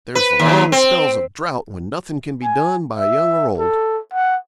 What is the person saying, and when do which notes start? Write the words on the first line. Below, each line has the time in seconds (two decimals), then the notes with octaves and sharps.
There's the long spells of drought when nothing can be done by young or old.
0.15 B4
0.39 D#2
0.72 C4
2.44 G#5
2.97 E5
3.58 A4
4.14 F#5